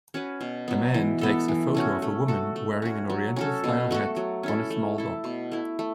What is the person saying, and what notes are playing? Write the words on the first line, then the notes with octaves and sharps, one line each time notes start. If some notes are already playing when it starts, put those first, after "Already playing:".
A man takes a photo of a woman wearing an oriental style hat on a small dock.
C#4 F#4 B4
B2
F#3 B3
E3
B3 A4
E3
A3 C#4 F#4
A3
F#4 A4
A3
C#4 F#4
F#3
C#4 F#4 A4
B2
A3 F#4 A4
F#3
C#4 E4 A4
A3
E4 A4
B2
A3 E4
A3